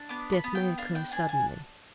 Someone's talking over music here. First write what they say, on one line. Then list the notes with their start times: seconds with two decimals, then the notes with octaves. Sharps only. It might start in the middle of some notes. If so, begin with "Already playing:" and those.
Death may occur suddenly.
Already playing: D4
0.09 B3 D6
0.32 B5
0.44 B3
0.55 G5
0.78 D4 F5
0.95 G5
1.12 D4 G#5
1.29 G#5